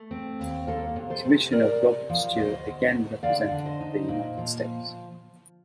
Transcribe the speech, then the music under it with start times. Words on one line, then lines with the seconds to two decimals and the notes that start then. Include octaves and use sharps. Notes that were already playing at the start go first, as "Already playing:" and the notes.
Commissioner Robert Stuart again represented the United States.
Already playing: A3
0.11 C4
0.40 D#2
0.67 A#3 A4 C5
0.96 C3
1.10 A4 C5
1.25 C3
1.52 C3 A#4 D5
1.81 C3
2.10 F3
2.37 D2 C5 D#5
2.67 D2
2.95 D2
3.23 D3 D5 F5
3.51 D3
3.66 C5 D#5
3.81 D#4
4.08 A#2
4.38 F3